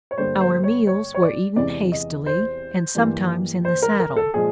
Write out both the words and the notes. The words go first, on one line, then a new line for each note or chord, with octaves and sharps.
Our meals were eaten hastily, and sometimes in the saddle.
C#5
G2 D3 G3 A#3 C5
C5
C#5
C#5
C#5
D5
E2 C3 E3 G#3 D5
D#5
C5
G2 E3 G3 A#3
C5
A#4
A#4
A4
A#2 F3 G#3 G#4